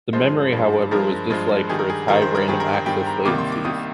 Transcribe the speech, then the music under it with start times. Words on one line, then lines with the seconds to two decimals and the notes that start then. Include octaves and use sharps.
The memory, however, was disliked for its high random access latencies.
0.13 G2 F3 G#3 C5
0.52 G2 F3 G#3
0.91 G2 F3 G#3 A#4
1.30 G2 F3 G#3
1.69 G2 D#3 G3 G#4
1.79 A#4
1.90 G#4
2.08 G2 D#3 G3 A#4
2.22 C5
2.35 A#4
2.48 G2 D#3 G3 G#4
2.60 A#4
2.73 G5
2.86 G2 D#3 G3 G5
3.07 A#5
3.25 C2 C3 D#3 A#3 D6
3.38 C6
3.52 D6
3.65 C2 C3 D#3 A#3 D#6